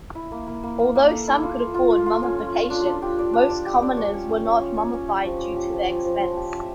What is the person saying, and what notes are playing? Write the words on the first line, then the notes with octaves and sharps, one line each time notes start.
Although some could afford mummification, most commoners were not mummified due to the expense.
E4
A#3
A#3
A#3
A#3
A#3
A4
E4
F4
F4
F4
F4
F4
C#4
C#4
F4
D4
D4
G4
D5
D4
D5
G4
D5
C#5
C#4
C#4
C#5
C#4
C#5
C#4
G4
F3
C#4
G4
F3
F3
F3
F3
G4
E5